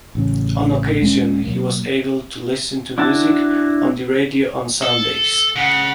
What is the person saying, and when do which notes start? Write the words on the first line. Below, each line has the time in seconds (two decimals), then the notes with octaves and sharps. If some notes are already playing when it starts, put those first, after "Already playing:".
On occasion, he was able to listen to music on the radio on Sundays.
0.15 A1 C#3
1.01 D#1 G#3 C4 C#4
1.45 B2 F#3 A#3
2.98 D4 E4 F#4 A5
4.83 A4
5.56 C#3 F#5